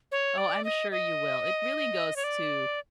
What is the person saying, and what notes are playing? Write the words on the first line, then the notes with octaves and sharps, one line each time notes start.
Oh, I'm sure you will. It really goes to,
C#5
D5
D#5
D#5
C#5
D5